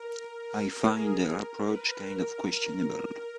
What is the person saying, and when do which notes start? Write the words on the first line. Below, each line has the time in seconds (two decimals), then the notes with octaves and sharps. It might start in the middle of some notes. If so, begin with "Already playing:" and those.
I find her approach kind of questionable.
Already playing: A#4
0.21 A#4
0.58 A#4
0.96 G#4
1.32 A#4
1.69 B4
2.06 A#4